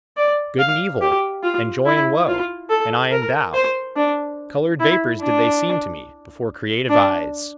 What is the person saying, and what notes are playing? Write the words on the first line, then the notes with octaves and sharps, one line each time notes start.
Good and evil, and joy and woe, and I and thou--coloured vapours did they seem to me before creative eyes.
D5
F5
G4
F4
E4
F4
A4
A#4
C5
D4
E4
D4
D4